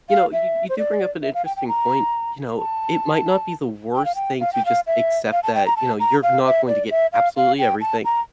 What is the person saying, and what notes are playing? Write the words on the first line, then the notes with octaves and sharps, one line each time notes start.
you know, you you do bring up an interesting point, you know, it might not be the worst thing to just accept that, you know, you're not going to get absolutely everything,
F5
E5
C5
D5
E5
F5
G5
G5
A#5
A5
G5
F5
G5
F5
G5
F5
E5
F5
A5
G5
A#5
A5
A#5
F5
E5
D5
E5
F5
F5
G5
A5
A#5